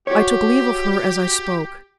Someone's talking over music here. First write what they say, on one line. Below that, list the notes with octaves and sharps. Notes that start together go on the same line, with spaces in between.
I took leave of her as I spoke.
F#4 G4 C#5